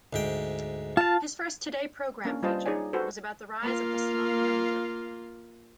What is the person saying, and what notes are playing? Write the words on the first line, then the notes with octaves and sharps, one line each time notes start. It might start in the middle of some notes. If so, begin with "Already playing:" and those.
His first Today Programme feature was about the rise of the Sloane Ranger.
D2 G#2 G5
F4 F5 A5
A#3 C#4 D4 A#4
G3 F4 B4 C5 D#5 A5
D#4 G#4 C#5 D5 G#5
F#4 A4 B4 C5
A#3 F4